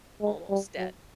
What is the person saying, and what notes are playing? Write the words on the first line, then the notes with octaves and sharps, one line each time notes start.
almost dead
G#3
G3
F#3